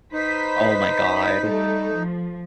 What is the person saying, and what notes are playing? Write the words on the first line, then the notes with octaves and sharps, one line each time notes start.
Oh my god.
D#4 B4 C5 B6
G3 A3 A4
F3